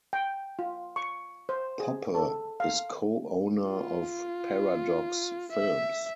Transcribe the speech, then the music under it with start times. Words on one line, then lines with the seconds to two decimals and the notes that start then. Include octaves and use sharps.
Poppe is co-owner of Paradox Films.
0.13 G5
0.59 F4
0.96 C#6
1.49 C5
1.80 G#4
2.15 A4
2.60 F5
3.64 F4
5.52 E5